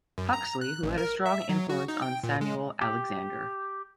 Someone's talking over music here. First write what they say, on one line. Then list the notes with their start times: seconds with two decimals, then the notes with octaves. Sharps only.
Huxley, who had a strong influence on Samuel Alexander.
0.18 F#2
0.33 A#5
0.61 F#6
0.83 A1
0.98 A#4
1.26 E5
1.49 F#3
1.69 F#4
1.88 D#4
2.02 G5
2.24 A#2
2.41 G#3
2.81 G4